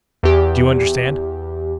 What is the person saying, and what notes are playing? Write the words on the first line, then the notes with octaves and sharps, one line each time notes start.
Do you understand?
E2 G4